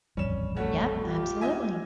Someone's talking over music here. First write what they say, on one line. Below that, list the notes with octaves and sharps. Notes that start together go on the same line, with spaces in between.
Yep, absolutely.
D#1 A1 F2 G3 C#4 E7
A3 C#4 F#4
F4 G4
D#5 E5 G#5